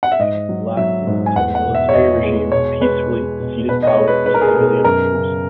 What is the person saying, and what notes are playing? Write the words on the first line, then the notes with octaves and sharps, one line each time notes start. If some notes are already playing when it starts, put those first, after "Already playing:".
The dictatorship lasted until the military regime peacefully ceded power to civilian rulers.
F#5
E5
G#2 D#5
F#3
F#3 E5
G#2
G#5
E2 F#5
F#5
B2
E5
C#5
E2 D#5
G#3
B2 C#5
G#3 B4
G#3
B2
B2 B4
D#5
C#5
G#3
B4
G#3 B4
A#4
G#4
A#4
B2 G#4
F#2 A#4
C#3